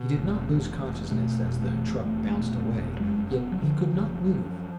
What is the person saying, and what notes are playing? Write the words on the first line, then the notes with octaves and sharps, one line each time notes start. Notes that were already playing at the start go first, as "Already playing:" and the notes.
He did not lose consciousness as the truck bounced away, yet he could not move.
Already playing: B2
F1
E2
F1
B2 A3
F1
A3
E2
F1 A3
B2
F1
F#2 G#3
F#1 B3
F#3
D3 F3
F#1
F#2